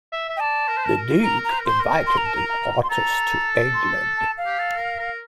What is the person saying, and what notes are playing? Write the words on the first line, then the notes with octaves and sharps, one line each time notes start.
The Duke invited the artist to England.
E5
E5
G5
D5 A5
A#4
C5
A#4
A#4
A#4 A#5
A#5
C5
A#4
C5 C6
A#4
C6
A#5
A5
A#5
A#5
C6
A4 A#5
C6
A5
F5
G4
A4
A#4
A#4